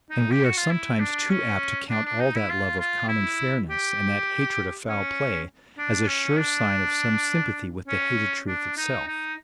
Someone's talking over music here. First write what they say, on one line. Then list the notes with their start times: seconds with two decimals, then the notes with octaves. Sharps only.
And we are sometimes too apt to count all that love of common fairness, and that hatred of foul play, as a sure sign of some sympathy with the hated truth itself.
0.10 D#4
0.31 G4
0.45 F#4
0.57 F4
0.70 E4
0.99 D4
1.29 C#4
1.89 D4
2.05 D4
2.20 D#4
2.35 E4
2.50 F4
2.80 F4
3.09 E4
3.70 G4
4.88 C#4
5.78 D4
6.08 C#4
6.38 D4
7.88 C#4
8.47 D4
8.77 D#4
9.07 D#4